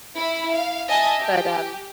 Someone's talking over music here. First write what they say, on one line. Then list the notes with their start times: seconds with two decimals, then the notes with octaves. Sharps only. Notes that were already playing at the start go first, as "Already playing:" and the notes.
but, um
0.16 E4 B5
0.52 F5
0.88 D#5 E5 G#5 A5
1.19 G4